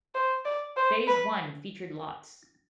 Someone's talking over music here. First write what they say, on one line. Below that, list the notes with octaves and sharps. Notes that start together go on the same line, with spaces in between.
Phase one featured lots.
C5
D5
C5
B4